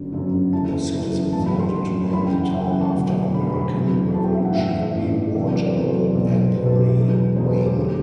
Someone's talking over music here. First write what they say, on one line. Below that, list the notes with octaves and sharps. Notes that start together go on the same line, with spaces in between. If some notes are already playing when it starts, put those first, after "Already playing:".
The citizens voted to name the town after American Revolutionary War General Anthony Wayne.
Already playing: G1 F#2 D3 F#3
G1 F#2 D3 F#3
F#1 F#2 E3 A5
F#1 F#2 E3
A1 G2 F#3 A5
B5
C6
A1 G2 F#3
F#1 F#2 E3 B5
G5
F#5
F#1 F#2 E3 E5
F#5
A5
E1 D2 D3 F#3
E1 D2 D3 F#3 B5
B5
B5
E2 C3 F#3
E2 C3 F#3 A5
G5
E5
F#5
A1 G2 E3 E5
A1 G2 E3
E2 C3 F#3 D5
D5
B4
E2 C3 F#3 C5
B1 B2 F#3 D5
C5
B1 B2 F#3 B4
A4
G4
E4
E1 E2 B2 F#3
B4
E1 E2 B2 F#3 C5
B4
A4
G4
E1 D2 D3
G4